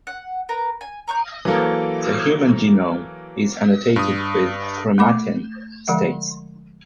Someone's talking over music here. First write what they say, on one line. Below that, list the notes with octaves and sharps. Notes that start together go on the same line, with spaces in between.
The human genome is annotated with chromatin states.
F#5
A#4 B4 A#5
G#5
A#5 C#6 F#6 G6
E3 F#3 A#3 A4 A#4
G2 D#6
A3 B5 D6
D3 F3 G#3 E5 F#5